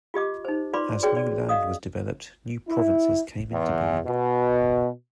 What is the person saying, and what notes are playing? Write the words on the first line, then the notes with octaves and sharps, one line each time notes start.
As new land was developed, new provinces came into being.
F4 G4 D#5 D6
D#4 C5
F4 B4 D5 B5 C6 D6
F#4 G#4 B4 C#5 D5 G5
D5
D#5 F5 D#6
E4
E2
B2